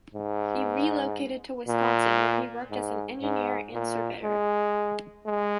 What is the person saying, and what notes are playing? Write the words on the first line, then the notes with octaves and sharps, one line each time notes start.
He relocated to Wisconsin, where he worked as an engineer and surveyor.
G#2
A#2
G#2
G#2
A#2
G#3
G#3